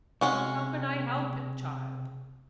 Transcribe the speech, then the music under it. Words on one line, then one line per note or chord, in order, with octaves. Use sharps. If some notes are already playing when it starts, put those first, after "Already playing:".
How can I help it, child?
C3 G#3 C#4 F#4